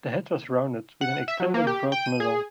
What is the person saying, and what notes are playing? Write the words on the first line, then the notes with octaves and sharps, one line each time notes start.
The head was rounded with an extended broad muzzle.
F#5
E5
F#3
A#3
G4
G5
D#7
G#4